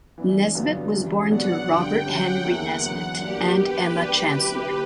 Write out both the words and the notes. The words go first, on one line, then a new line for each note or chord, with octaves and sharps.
Nesbitt was born to Robert Henry Nesbitt, and Emma Chancellor.
E3 B3 D4
G2 D3 F#3 B3 D4
C#3 E3 G3
B2 F#3 B3 D4 F#4 F#5
G2 D3 G3 G5
D3 F#3 C#4 G4 F#5
E2 D3 A#3 E4
F#2 E3 B3
G2 F#3 A#3 D4 G4
B2 G3 A#3 B4
E2 B2 G3 A#3 D4
D3 F#3 C#4 E4 G4
D3 A#3 E4